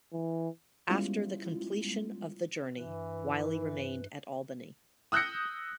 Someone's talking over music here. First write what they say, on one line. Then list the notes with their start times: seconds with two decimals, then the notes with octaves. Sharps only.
After the completion of the journey, Wylie remained at Albany.
0.13 E3
0.89 G3 G#3 B3 C#4 E4 F4
2.79 G2 E3 B4
5.12 D#6 E6 F#6 G6 A#6 C#7